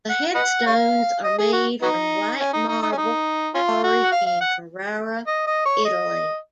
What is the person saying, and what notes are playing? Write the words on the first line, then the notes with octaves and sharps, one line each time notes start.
The headstones are made from white marble quarried in Carrara, Italy.
F#5
B4 D#5 F#5
C#5 F5
D#5
G#4
F#4
F#3 B3 D#4
C#4
D#4
D#4
D#4
C#4
D#4
C#4 F4
F#4
F#5
F5
F5
F#5
D#5
D#5
C#5
D#5